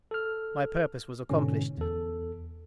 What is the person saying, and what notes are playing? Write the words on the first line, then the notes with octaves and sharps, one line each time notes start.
My purpose was accomplished.
A4 F6
G#2 B2 D3 C#4
E2 A4